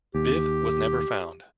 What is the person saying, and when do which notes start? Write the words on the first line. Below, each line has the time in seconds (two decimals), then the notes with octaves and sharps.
Viv was never found.
0.15 D#2 G4